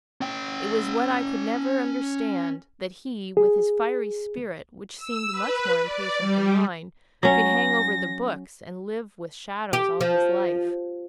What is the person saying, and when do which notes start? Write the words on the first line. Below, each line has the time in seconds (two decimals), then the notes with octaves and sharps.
It was what I could never understand, that he, with his fiery spirit, which seemed much more impatient than mine, could hang over the books and live with shadows all his life.
0.21 C#4 G5
3.37 G#4
4.97 E6
5.32 B4
5.83 D5
6.20 G3
7.23 F#3 C#4 A#6
9.73 G4
10.01 F3